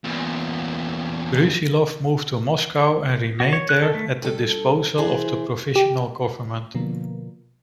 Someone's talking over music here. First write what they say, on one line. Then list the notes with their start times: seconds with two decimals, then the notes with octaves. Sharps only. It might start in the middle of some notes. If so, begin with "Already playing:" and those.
Brusilov moved to Moscow and remained there at the disposal of the Provisional Government.
0.04 E2 A#2
3.40 F#4
3.53 C#5
3.69 F#6
3.82 A4
3.95 A3
4.22 G2 A4
4.98 E3 G#4 C5
5.76 G4
6.75 B2 D3 F3 A#3